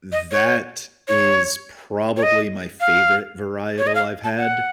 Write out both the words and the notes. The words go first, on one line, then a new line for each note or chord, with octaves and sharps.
That is probably my favorite varietal I’ve had.
D#5
C#5
C#5
C#5
D#5
F5
C#5
D#5
F5
A5
F#5